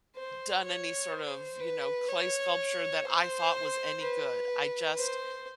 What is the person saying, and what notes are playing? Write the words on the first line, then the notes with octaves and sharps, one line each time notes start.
done any sort of, you know, clay sculpture that I thought was any good. I just
C5
C#5
C5
B4
C#5
C5
B4
C5